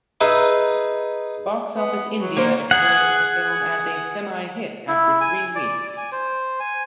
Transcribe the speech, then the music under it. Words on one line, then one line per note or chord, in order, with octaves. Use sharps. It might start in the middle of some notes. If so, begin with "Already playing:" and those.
Boxofficeindia declared the film as a "semihit" after three weeks.
D#4 G#4 B4 E5
B3
F#3
A#3 C5 F5
G#4 F#5
E4
G#5
D5
G#5
C5
G#5